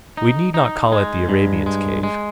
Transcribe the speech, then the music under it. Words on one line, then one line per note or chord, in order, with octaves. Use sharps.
We need not call it the Arabian's cave.
D#4
D#4
G#3
G2
G#3
G#3